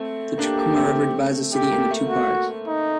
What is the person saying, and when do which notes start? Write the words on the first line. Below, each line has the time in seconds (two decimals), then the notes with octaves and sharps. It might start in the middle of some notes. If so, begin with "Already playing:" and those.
The Chikuma River divides the city into two parts.
Already playing: A3 C4
0.38 A#3 D4 G4
0.58 A#3 D4
0.76 A3 C4
1.53 A3 G4
1.72 A#3
1.91 A3
2.09 F#4
2.67 D#4